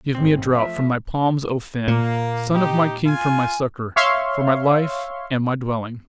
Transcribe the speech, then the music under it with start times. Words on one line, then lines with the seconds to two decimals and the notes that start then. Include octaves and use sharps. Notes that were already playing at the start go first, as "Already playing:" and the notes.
Give me a draught from thy palms, O Finn, Son of my king for my succour, For my life and my dwelling.
0.15 A1 G#2 C4
0.54 F3 A3 E5
1.88 A#2 A#3
2.54 D#4 G4
3.06 F4 G#5
3.96 C#5 E5 F5 C6 C#6